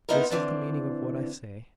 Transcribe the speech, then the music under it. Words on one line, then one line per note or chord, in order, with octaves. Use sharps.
This is the meaning of what I say.
G#3 B3 C4 D#4 E4 A#4
D3 E3 C4 D4